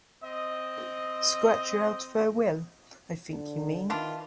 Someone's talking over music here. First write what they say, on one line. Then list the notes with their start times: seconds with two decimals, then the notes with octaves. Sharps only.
Scratch you out of her will, I think you mean?
0.23 C4 D#5
3.30 D3
3.90 D#3 E3 D4 F4